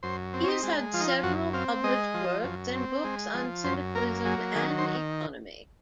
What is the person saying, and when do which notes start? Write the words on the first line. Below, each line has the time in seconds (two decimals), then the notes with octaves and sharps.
He has had several published works and books on syndicalism and economy.
0.03 F#2 C5
0.33 C4
0.44 C#4
0.48 D#4
0.63 G#3
0.93 F3 F4
1.00 D#4
1.09 F4
1.23 F#2 F#4
1.53 C4 F5
1.84 G#3 D#5
2.14 F3
2.44 F#2
2.74 C4
3.04 G#3
3.34 F3
3.64 F#2 C5
3.95 A#3 A#4
4.25 F#3 G#4
4.55 D#3 G#4
4.78 C5